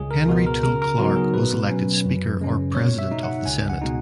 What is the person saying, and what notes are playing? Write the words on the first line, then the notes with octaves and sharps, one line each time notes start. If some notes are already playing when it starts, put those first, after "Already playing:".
Henry Toole Clark was elected Speaker or President of the Senate.
Already playing: C#2 G#4
A#4
B2 G#3 B3 F#4
A#4
C#3 A#4
A#4
F#3 B3 D#4 F#4
G#4
B2 B4
F#3 C#4
F#2
C#3 G#3 C#4
B2 C#5
E5
G#3 D#4
F#5
C#2 G#5
F#5
B2 G#3 D#4